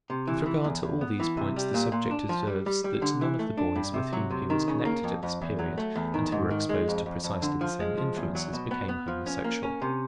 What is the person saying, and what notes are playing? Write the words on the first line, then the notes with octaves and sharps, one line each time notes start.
With regard to all these points the subject observes that none of the boys with whom he was connected at this period, and who were exposed to precisely the same influences, became homosexual.
C3
E3
E3
E2
E2
B3
E3
C3
G3
A#2
A#2
D4
F3
G3
G3
G3
D3
E3
A3
D4
G2
C3
F#3
C3
D#3
C#3
A#3
F2
F2
E2
F#3
A3
E2
D#3
G#2
D#3
G#3
F2
F2
F2
D3
F3
G#3
F3
E2
F#3
B2
B3
B3
F3
C#4
A#3
C#4
C3